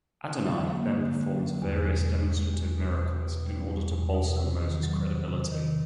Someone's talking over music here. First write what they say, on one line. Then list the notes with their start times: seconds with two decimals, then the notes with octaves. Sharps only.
Adonai then performs various demonstrative miracles in order to bolster Moses' credibility.
0.24 D3
0.47 F#3
0.70 A#3
0.92 D3
1.16 D3
1.39 F#3
1.62 E2
1.85 B2
2.07 G#3
2.30 E2
2.53 E2
2.77 B2
2.99 E2
3.22 B2
3.45 G3
3.68 E2
3.91 E2
4.14 B2
4.37 C3
4.60 D#3
4.83 F#3
5.06 C3
5.28 C3
5.52 D#3